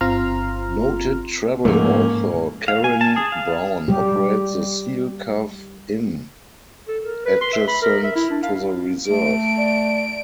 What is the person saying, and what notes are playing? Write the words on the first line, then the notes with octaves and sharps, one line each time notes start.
Noted travel author Karen Brown operates the Seal Cove Inn adjacent to the reserve.
G1 C4 F4 A#5 C6 F6
G#2 F3 A3 A#3 C#4
F5
G#5
A5
G#4
F5
G3 G4
A4
A#4
B4
C6
E5
B5
A#4
E5
E4
D4
F5
A3 D7
D5